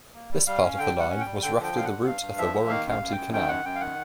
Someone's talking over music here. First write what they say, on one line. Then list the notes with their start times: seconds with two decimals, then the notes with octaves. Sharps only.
This part of the line was roughly the route of the Warren County Canal.
0.15 A#3
0.31 G3
0.47 G3 F5
0.62 C#4
0.78 D3 G5
0.95 G3 F#5
1.10 C#4
1.20 G5
1.26 G3
1.42 D3 G5
1.58 F3
1.64 G5
1.74 D3 F5
1.85 F#5
1.90 G2
2.06 G2 F5
2.21 G2
2.38 F3 E5
2.54 A#3
2.69 D#3 F5
2.86 F#2 F5
3.01 F#2
3.12 F#2 G5
3.33 D#3 G5
3.48 F#2 F#5
3.64 F#2 G5
3.75 F5
3.80 D#3 F#5